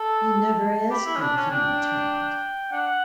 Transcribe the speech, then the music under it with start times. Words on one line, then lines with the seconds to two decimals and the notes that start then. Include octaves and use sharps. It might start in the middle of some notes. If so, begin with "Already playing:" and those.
"You never asked me," he returned.
Already playing: A4 A5
0.90 G4 B5
1.06 E4
1.16 C#4
1.21 D4 A5
1.37 C#4
1.51 D4 G5
2.72 D4 F#5